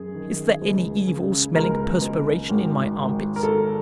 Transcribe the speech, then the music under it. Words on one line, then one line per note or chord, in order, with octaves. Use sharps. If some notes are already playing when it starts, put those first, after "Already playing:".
Is there any evil smelling perspiration in my armpits?
Already playing: F#2 G#4
D#3
C#2
C#3
C#2 A#4
C#2
G#1
G#1
A#4
G#1 A4